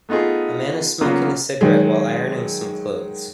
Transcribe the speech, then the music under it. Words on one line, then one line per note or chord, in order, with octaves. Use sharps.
A man is smoking a cigarette while ironing some clothes.
A3 B3 D#4 F4 G#4
C#3 F#3 A#3 B3 F4
D#3 F#3 G#3